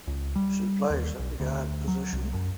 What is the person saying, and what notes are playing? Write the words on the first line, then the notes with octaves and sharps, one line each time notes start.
She plays at the Guard position.
C#2
G3
D#2
B1
D2
F#3
C2
F#2